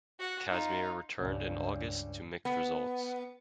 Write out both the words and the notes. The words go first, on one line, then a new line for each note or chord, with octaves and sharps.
Kazmir returned in August to mixed results.
F#4 F#5
D#4 F4
C#2 G2
B3